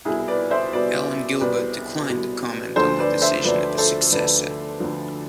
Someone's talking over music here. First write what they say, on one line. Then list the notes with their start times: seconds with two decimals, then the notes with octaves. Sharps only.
Alan Gilbert declined to comment on the decision of his successor.
0.05 C2 B2 E4 G#4
0.28 B4 D5
0.50 C5 E5
0.73 C2 B2 B4 D5
1.41 C2 B2 B4 D5
2.09 C2 B2
2.76 D2 D3 F3 A4 C5
2.99 B4 D5
3.22 C5 E5
3.44 D2 D3 F3 B4 D5
3.78 A4 C5
4.12 D2 D3 F3 B4 D5
4.80 D2 D3 F3